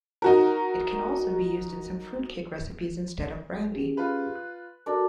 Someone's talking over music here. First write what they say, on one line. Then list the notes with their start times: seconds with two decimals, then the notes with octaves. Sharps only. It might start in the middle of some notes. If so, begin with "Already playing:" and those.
It can also be used in some fruitcake recipes instead of brandy.
0.22 D#4 F#4 A#4
3.72 C#4 G4 G#4
3.97 F4 B4
4.36 F#6
4.86 D4 F#4 A4 A#4 D5